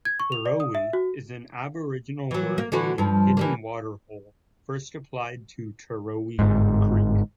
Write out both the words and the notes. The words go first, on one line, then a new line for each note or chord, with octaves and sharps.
"Terowie" is an aboriginal word meaning "hidden waterhole", first applied to Terowie Creek.
G#6
C#6
F7
D5
D#6
E5
F#4
E3 F#3
A#3
D3 E3 F#4
G2 F3
E3 G3 A#3
G1 G#2